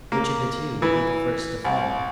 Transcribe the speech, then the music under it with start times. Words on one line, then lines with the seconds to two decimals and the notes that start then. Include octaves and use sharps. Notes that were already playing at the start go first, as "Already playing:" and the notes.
Which of the two will be the first to fall?
0.12 A#3
0.82 E3
1.64 C2